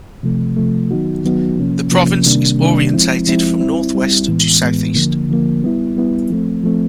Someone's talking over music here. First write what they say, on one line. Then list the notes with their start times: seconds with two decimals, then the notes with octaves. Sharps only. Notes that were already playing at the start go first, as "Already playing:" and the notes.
The province is orientated from northwest to southeast.
0.23 C3 F3 A3
0.56 C3 F3 A3
0.91 D#3 F#3 B3 D#4 F#4
1.24 D#3 F#3 B3 D#4 F#4
1.58 C3 F3 A#3 C#4
1.92 C3 F3 A#3 C#4
2.25 C3 D#3 G3 A#3 D4
2.59 C3 D#3 G3 A#3 D4
2.93 F3 G#3 C4 E4
3.27 F3 G#3 C4 E4
3.60 G3 C4 E4
3.94 G3 C4 E4
4.28 A2 E3 G#3 B3
4.62 A2 E3 G#3 B3
4.95 D3 F3 A#3
5.29 D3 F3 A#3
5.63 G3 B3 E4
5.96 G3 B3 E4
6.30 F3 A3 C4
6.63 F3 A3 C4